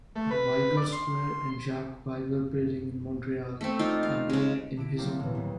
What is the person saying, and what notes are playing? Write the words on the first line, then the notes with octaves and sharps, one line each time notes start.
The Viger Square and Jacques Viger Building in Montreal are named in his honour.
A3
B4
D5
C6
A3 C4
D#4 F4 D5
F5
C#3 G#3
D3 E4 D7
F#3 G3 A#3 C4 D4 G4
A2 E3
D2 D#3